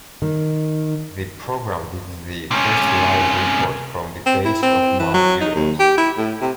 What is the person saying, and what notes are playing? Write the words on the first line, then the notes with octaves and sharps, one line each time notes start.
The program did the first live report from the base of Mount Everest.
D#3
C3 C#4
C4
E4
C4
E3
F#3
D#4
D#2
G4
E4
A2
C3